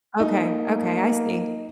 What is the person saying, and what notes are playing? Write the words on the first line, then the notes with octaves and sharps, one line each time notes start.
Okay. Okay, I see.
A#3 D#4